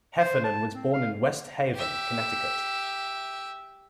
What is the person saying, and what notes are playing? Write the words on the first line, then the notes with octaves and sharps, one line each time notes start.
Heffernan was born in West Haven, Connecticut.
C5
A5
C4
F5
G4 E5